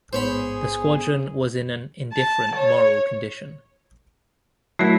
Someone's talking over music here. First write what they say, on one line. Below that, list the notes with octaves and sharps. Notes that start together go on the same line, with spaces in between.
The squadron was in an indifferent moral condition.
A1 G#2 B3 G#4 C5 C#5 B5
A5
C#5
F#3 A3 E4 A#4